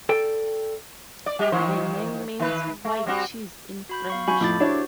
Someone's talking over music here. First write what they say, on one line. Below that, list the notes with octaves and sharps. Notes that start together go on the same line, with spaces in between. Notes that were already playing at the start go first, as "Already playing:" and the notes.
The name means "white cheese" in French.
A4 D5 G5
D5
G3 G4
D#3 E3 C5
D#3 B4
A3
G3 C4 F#4
F#4 B5 G6
B3 F5 C#6
F#3 G#5 B5 C#6 G6
F2 A2 F3 A4 D6 A6
D4 E4 F#4 G4 C5 C#5